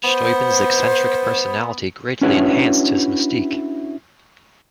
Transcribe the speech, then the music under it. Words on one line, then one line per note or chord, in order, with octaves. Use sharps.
Steuben's eccentric personality greatly enhanced his mystique.
B3 C5
C#4 D4 E4 F#4 B4 C#5